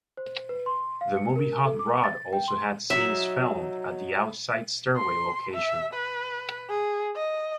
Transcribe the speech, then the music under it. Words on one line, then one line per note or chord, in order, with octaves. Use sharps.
The movie Hot Rod also had scenes filmed at the outside stairway location.
C5
B4
C6
F5
C#7
A#4
A4
D6
A6
G5
C6
F#3 D#4 E5
C6
E5
B4
G#4
D#5